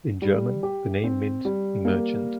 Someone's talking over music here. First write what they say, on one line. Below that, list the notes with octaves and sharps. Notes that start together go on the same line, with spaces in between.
In German, the name means "merchant".
G3
G4
C4
G3
A#3